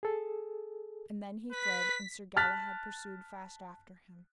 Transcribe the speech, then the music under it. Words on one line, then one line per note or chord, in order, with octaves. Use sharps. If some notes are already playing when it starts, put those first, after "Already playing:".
And then he fled, and Sir Galahad pursued fast after him.
G#4 A4
B4 B6
A5 F6 F#6 A6 B6